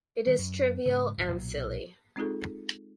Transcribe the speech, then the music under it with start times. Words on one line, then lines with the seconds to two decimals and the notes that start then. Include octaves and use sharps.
It is trivial and silly.
0.27 D#3 G3
0.38 F#2
0.86 G#2 C#3
1.18 D1 G#1
1.32 B1 A#2 F#3
2.16 G#3 C4 D#4 F4 G#4 A4